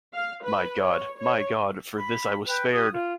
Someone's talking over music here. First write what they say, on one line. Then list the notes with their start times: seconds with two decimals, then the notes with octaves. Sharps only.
My God, my God, for this I was spared!
0.14 F5
0.44 B4
0.78 C#5
1.18 C#5
1.97 B5
2.47 B4 G5
2.73 G4 D#6
2.92 F4